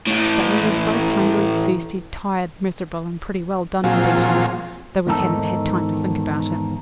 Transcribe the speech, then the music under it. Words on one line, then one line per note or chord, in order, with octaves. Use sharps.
But we was both hungry, thirsty, tired, miserable, and pretty well done and beaten, though we hadn't had time to think about it.
A2 E3
A#2 F3 F#3 C4 F4 G#4
E2 G#2 D#3 D#4 A4